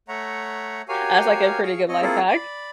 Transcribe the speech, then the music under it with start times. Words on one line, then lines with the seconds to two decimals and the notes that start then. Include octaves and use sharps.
That's, like, a pretty good life hack.
0.08 A3 C#5 E5 F#5 A#5
0.88 F#4 G4 A#4 C#5 F5 G#5
1.63 G#4 F5 C#6
1.88 C4 C#5 D#5
2.01 A#3 C4 E4 F4 G#4 A4
2.28 D5 B5